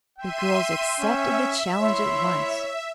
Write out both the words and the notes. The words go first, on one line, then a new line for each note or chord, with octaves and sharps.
The girls accepted the challenge at once.
E5 G5 C6 D#7
C#4 E5
E4 C#5 C6